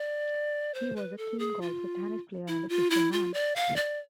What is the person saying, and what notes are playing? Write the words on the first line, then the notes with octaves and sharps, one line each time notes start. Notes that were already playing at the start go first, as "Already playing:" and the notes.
He was a keen golfer, tennis player and fisherman.
Already playing: D5
C5
B4
A4
G#4
F4
E4
F4
E4
F4
D5
F5
D5